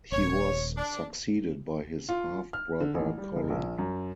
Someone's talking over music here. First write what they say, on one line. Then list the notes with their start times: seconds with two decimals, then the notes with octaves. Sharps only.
He was succeeded by his half-brother Colin.
0.12 D#1 G#1 C#5
0.77 D4
2.09 F4
2.53 F6
2.80 D3
2.94 A1
3.18 G3
3.36 F#1
3.50 A#1
3.79 F#2